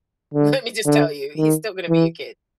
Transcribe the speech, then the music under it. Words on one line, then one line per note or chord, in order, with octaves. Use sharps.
Let me just tell you, he's still gonna be your kid.
D3
D3
D#3
E3